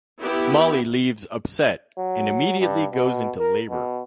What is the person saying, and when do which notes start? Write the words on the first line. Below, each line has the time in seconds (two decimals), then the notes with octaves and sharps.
Mollie leaves upset, and immediately goes into labor.
0.21 B3 E4 G4
1.98 F#3
2.60 G2
2.94 B2
3.39 A#4
3.70 B2